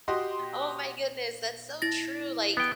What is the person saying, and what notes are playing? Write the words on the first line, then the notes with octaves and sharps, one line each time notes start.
Oh my goodness, that's so true, like,
F#4 G4 D#5 C6
E4 A6 A#6
B3 G5